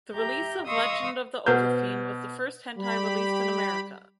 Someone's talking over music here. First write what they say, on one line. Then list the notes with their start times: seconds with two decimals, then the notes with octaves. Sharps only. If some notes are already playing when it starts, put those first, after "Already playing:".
The release of "Legend of the Overfiend" was the first hentai released in America.
0.13 G4 E5 A#5 G6
0.68 D#5 F5 C6 C#6 D#6 E6
1.46 B2 B4 C5 F#5 G6
2.78 G3 G4 B5